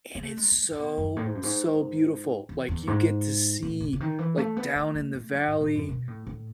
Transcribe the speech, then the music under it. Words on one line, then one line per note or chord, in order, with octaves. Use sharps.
and it's so, so beautiful. Like, you get to see, like, down in the valley,
B3
A3
G#3
A3
D#3
B2
F#2
A2
G#2
F#2
G#2
E2
E2
G#2
A2
C#3
C#3
D#3
E3
A3
B3
A3
A3
A3
F#3
G#2
A2
F#2
B2
A2
A2